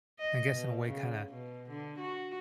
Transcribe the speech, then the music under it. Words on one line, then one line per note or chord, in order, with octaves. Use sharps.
I guess, in a way, kinda
D#5
B2
C#3
B2
D3
F#4